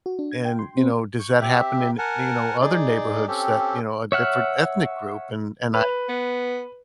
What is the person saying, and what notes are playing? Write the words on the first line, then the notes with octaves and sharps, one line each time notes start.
and, you know, does that happen in, you know, other neighborhoods, that, you know, of different ethnic group, and I
F#4
D4
G#6
G5
C6
C4
C#6
C4 G4 E5
A#4 F#5 G#5 A5
D#4 G#4 D5
C4 C#4 G4 A4
C#5 E5 F#5 F6
B4
B3